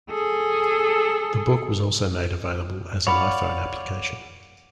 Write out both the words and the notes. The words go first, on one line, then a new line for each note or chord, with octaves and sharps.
The book was also made available as an iPhone application.
G#4 A4
C#5 D5 F5 F#5 B5